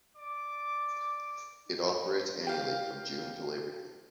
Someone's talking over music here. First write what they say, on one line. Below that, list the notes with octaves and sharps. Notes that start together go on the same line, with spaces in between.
It operates annually from June to Labor Day.
D5 D6
G4 F5